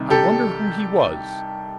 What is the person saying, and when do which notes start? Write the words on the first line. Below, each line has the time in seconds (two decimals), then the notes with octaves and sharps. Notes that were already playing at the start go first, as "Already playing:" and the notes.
"I wonder who he was."
Already playing: C2 C3 D#3
0.10 G4 A4